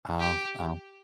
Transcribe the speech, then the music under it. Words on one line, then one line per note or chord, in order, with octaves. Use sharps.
I'll I'll
G4